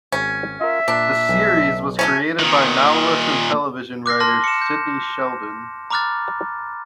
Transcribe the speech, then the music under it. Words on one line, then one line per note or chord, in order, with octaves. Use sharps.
The series was created by novelist and television writer Sidney Sheldon.
G#1 C#4
F4 A#4 E5
A#2 D4
B1 G#5
F#3 A3 C#4
A#2 D#3
D6 F#6 A#6 C7
A5 C6 F6 A#6
C#7 E7
G6
A#5 B5 D6 F6 F#6 A6